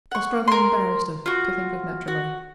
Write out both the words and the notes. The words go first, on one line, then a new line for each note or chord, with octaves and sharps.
A struggling barrister to think of matrimony!'
F#5 C#6
A#4 C6
F4 F#4
F#4